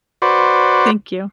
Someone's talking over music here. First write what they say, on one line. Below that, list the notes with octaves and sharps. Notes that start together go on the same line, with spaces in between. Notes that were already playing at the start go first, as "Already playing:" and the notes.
Thank you.
F#4 B4 C5 D5